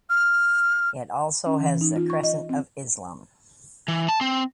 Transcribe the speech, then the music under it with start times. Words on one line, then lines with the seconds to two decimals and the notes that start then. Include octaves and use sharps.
It also has the crescent of Islam.
0.10 F6
1.46 C#4
1.60 E3
1.81 D#4
1.96 F4
2.10 C#6
2.23 D#5
2.49 C4
3.88 E3
4.09 A5
4.21 C4